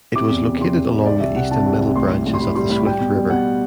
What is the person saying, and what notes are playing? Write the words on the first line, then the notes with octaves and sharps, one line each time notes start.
It was located along the East and Middle branches of the Swift River.
C3 D6
E2
C3
C3 C6
E2
C3
C3 D5
C2 E5
C3 F#5
C3 A5
C2
C2
A2 C6
G3
A2
C6
G3 B5
G3 C6
A2 B5
G3 G5
B2
G3
B2 F#5